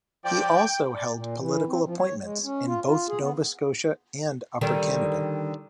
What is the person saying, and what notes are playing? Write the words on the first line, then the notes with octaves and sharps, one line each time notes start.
He also held political appointments in both Nova Scotia and Upper Canada.
F3 D5 G5
D5
A#2
E3
C4
F3
C#5
G#3
C#4
F4
F4
G#4
B3
D3 D#3 G3